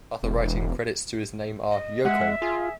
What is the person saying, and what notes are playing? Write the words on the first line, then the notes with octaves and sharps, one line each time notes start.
Other writing credits to his name are: Yoko!
E1
D#5
G#3 E5 F#5
F4 G#4